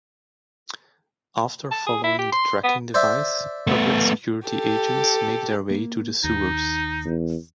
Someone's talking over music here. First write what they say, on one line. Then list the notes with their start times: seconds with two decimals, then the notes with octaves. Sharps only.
After following the tracking device, Public Security agents make their way to the sewers.
1.71 A5
1.87 G#4
2.04 E4
2.18 G4
2.32 C6
2.64 B3
2.94 C5 D5 E5
3.67 A3 B3
4.48 G4 A4
5.71 A#3
6.24 D#2 D#4
7.05 E2